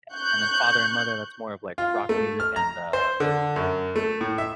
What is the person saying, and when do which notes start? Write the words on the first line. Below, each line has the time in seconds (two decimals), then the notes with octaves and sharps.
Yeah, and then father and mother, that's more of, like, rock music, and, uh,
0.14 C#6 F#6 G6
1.78 F4
2.09 A3
2.40 F6
2.56 A#5
2.93 C5
3.20 D3
3.56 F#2
3.96 A3
4.21 A2
4.38 E5